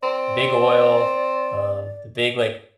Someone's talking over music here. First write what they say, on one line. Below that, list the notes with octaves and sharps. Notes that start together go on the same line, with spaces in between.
big oil, um, the big, like,
C4 D5